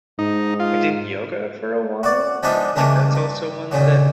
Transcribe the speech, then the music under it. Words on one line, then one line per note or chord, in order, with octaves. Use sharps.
I did yoga for a while. Like, that's also one that
G#2 D#4
F4
F#4 D5
F3 G#3 B3 D4 D#4 E5
C#2 G2 E3 A3 A#3
G2
D#2 A#2 C#3 F#3